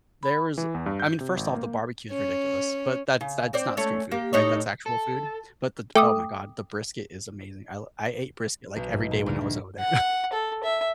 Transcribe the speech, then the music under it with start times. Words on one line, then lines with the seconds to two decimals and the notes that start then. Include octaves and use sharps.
there was I mean, first off, the barbecue is ridiculous, but that's that's not street food, right? That's actual food, but the Oh my god, the brisket is amazing. I l I ate brisket, like, every day when I was over there.
0.23 B5
0.58 E3
0.74 E2
0.86 G2
1.00 G6
1.21 C3
1.37 G#1
1.55 A#3
2.11 C#4
3.21 C#3
3.53 C4 C5 D5
3.77 A3 C#4
4.11 A#3 G4
4.33 A2 D#4 C#5
4.86 A4
5.95 A3 G5 D6 D#6
8.76 B1
8.93 G#2
9.11 A#2
9.26 D2
9.41 D2
9.79 F#5
10.33 A4
10.64 E5